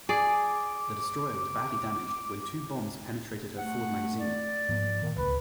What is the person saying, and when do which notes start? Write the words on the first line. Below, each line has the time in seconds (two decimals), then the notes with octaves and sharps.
The destroyer was badly damaged when two bombs penetrated her forward magazine.
0.09 G#4 D5 D6
3.58 A3 F#5
4.19 D5
4.69 G#2 F3 A#3
5.02 A#2 D#3
5.16 D1 C#2 B4